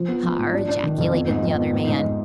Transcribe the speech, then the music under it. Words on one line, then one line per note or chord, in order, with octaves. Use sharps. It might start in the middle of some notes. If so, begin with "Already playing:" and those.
"Har!" ejaculated the other man.
Already playing: F3
B3
F3
G#2
D4
D4
D#3
F2
B3
G#2
F3
B3
G#2
G#2